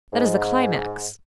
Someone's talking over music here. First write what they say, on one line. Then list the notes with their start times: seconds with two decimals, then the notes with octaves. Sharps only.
That is the climax.
0.13 G#2